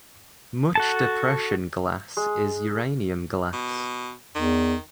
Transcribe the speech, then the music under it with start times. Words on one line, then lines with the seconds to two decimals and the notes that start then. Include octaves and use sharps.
Much depression glass is uranium glass.
0.75 F#4 A4 A5
2.17 G#3
3.53 B2
4.35 E2 D#3